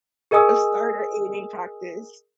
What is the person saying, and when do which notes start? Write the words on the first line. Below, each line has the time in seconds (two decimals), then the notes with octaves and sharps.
a starter aiming practice.
0.31 G#4 A#4 D#5 G#5 D#6 E6